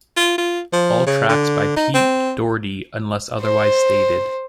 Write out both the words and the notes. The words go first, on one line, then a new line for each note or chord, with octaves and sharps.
All tracks by Pete Doherty unless otherwise stated.
F4
F4
F3
C#3
D3
D#4
C4
C5